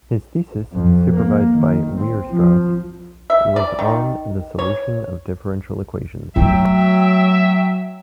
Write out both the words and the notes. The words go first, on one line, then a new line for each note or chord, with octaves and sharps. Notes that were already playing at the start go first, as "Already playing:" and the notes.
His thesis, supervised by Weierstrass, was on the solution of differential equations.
F2
A#3
D#3
C4
F3
E5
D5
D#3
C#5
F#3 A3 E5 G5